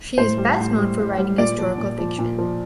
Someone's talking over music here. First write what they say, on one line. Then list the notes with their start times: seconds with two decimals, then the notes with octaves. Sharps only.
She is best known for writing historical fiction.
0.18 A2 C5
0.37 G3
0.58 A2
0.78 G3
0.99 A2
1.18 G3
1.38 A#2 D5
1.58 F3
1.78 A#2
1.98 F3
2.19 A#2
2.38 F3